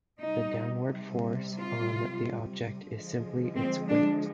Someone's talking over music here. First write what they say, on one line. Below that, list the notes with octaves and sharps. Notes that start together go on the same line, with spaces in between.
The downward force on the object is simply its weight.
C3 G3 D#4
F4
D3 F3 G#3
C4
D4